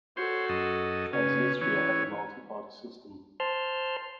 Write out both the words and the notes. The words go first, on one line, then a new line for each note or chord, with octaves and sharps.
Transnistria has a multi-party system.
F#4 A4 C5 C#5 C6
F#2 D#5 A5
C#3 C#4 B4
E3 C#4 C#5
C5 A5 C6 F6